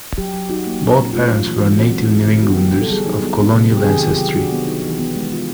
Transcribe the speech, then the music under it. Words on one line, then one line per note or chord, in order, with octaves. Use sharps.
Both parents were native New Englanders of colonial ancestry.
F#3 G4
F#3
D#4 F#4
A#3
C#4
A#2
A3 F4
F#3
E3
E3
C4 F#4
G#3
E4
D3
B3 F#4
G4
F#3 F#4
G3
A4
G3 G#4
D#4
B3
B3
C3
F#3 G4
G#4
D#3 G4
F4 G#4
G4
F#3
G4
D4 F#4
B3
D#4
E3 G4
B3 F#4
G#3
F4